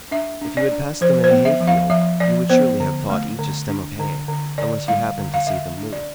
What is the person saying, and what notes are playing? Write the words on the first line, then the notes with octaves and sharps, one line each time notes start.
If you had passed them in a hay-field, you would surely have thought each a stem of hay, unless you happened to see them move.
D4 E5
D4
D5
D4
F3 C5
C5
B3
E5
F3
F5
F3 E5
F3 D5
B3 C5
D3
A3
D3
D4
D3
D3
D3 D5
G3 F5
D3
F5
D3 E5
D4
D5